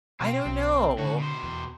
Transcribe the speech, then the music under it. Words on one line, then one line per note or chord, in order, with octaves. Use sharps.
I don't know.
B2 C4
B1
C#2 D3 F#4
B2 C5
E2